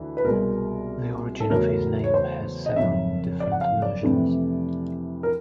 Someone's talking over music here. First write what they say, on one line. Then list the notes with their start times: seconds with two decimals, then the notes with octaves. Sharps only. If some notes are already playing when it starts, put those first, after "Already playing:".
The origin of his name has several different versions.
Already playing: D2 E3
0.17 B4
0.24 C2 B2 G#3 A#4
1.40 A4
1.50 E2 C#3 F#3 A3 A#4
2.04 C#5
2.14 C5
2.66 D#5
2.76 F#1 F2 C#3 E5
3.40 D5
3.52 F#5
3.61 F5
3.82 D5
4.03 F2 C3 E3 A3
5.23 A#4